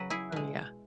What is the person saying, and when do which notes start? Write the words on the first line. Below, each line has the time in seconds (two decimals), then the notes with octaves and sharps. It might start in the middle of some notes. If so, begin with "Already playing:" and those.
Oh, yeah.
Already playing: C#3 F#3 F#4 B4
0.10 E4 G#4
0.32 B2 G#3